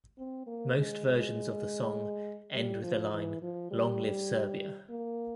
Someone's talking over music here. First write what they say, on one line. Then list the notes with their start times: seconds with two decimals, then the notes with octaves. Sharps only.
Most versions of the song end with the line "long live Serbia!".
0.18 C4
0.47 A#3
0.76 G#3
1.06 G#3
2.54 G3
2.83 F3
3.13 E3
3.42 F3
3.71 G3
4.90 A#3